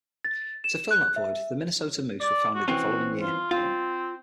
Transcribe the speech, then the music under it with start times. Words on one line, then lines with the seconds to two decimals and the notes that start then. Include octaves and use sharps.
To fill that void, the Minnesota Moose were founded the following year.
0.24 A6
0.64 E7
0.91 F#6
1.16 E5
2.20 D5
2.55 F#4
2.68 E3 C4 C#4 F#4
3.21 F4
3.51 C4 F4